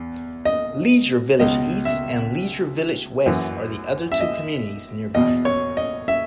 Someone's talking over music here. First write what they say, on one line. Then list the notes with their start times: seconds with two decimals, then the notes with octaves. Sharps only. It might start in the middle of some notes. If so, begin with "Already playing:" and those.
Leisure Village East, and Leisure Village West are the other two communities nearby.
Already playing: E2
0.45 D#5
1.39 C#2 B2 D#5
1.85 E5
3.26 F#2 E3
4.12 E5
4.21 D#5
5.14 E2 B2 D#5
5.45 C#5
5.77 D#5
6.08 E5